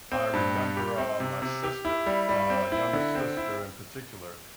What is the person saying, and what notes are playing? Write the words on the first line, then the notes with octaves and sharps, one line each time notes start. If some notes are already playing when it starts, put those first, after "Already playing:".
I remember, um, my sister- uh, younger sister in particular-
C4
G2
G3
G4
C4
C3
C3
G4
E4
G3
G3
C4
E4
D3
C4
E4